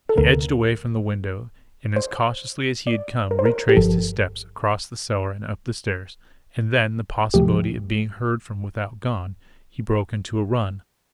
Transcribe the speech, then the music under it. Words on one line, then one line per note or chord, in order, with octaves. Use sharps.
He edged away from the window, and, as cautiously as he had come, retraced his steps across the cellar and up the stairs--and then, the possibility of being heard from without gone, he broke into a run.
A4
D2 D3 A3 A#4
C5
D5
A#4
C5
A#4
G4
G1 G2 F3 A4
D2 C3 F3 A3 G4